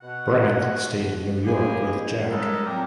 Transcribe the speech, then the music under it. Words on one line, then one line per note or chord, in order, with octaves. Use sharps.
Brandt stayed in New York with Jack.
B2 F#5
G#3 A#3 E4 G4 G#4
C#3 G3 G#3 D#4 A4 A#4
A#2 F#3 C4 A#4 G5 D6